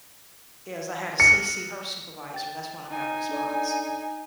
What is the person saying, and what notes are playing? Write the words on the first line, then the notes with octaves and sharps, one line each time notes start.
is I had to CC her supervisor. That's when I got a response.
C#7
G5 A6
D#4 G#5
D4 A4 D5